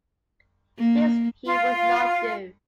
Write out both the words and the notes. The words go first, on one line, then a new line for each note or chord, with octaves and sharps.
This he would not do.
A#3
F4